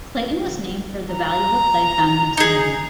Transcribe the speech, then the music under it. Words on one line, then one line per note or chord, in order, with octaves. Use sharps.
Clayton was named for the valuable clay found in the vicinity.
A#5
D#4 G#4